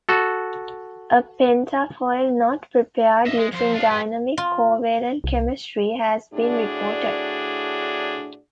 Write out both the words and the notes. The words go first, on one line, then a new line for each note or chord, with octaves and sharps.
A pentafoil knot prepared using dynamic covalent chemistry has been reported.
F#4 A4
D#5 E5
G#3
F2 C5
D4 F4
G4 B4
F4
C2
A2 D4 F#4 G#4 D5